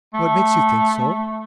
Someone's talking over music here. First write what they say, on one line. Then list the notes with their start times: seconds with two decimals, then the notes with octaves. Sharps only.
"What makes you think so?"
0.14 A3